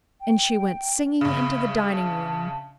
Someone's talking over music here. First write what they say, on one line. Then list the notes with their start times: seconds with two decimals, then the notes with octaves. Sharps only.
And she went singing into the dining-room.
0.21 G5
1.21 A#1 C#3 B5
1.93 A5